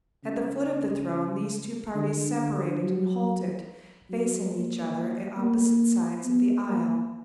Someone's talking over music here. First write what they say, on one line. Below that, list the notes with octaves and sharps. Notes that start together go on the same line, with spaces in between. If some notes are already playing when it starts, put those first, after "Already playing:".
At the foot of the throne these two parties separated and halted, facing each other at opposite sides of the aisle.
C#3
D3
D3
F#3
F#3
A#3
A#3
B3
A#3